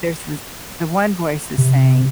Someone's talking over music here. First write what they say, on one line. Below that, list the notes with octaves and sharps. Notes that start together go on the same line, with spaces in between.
There's this the one voice is saying,
C3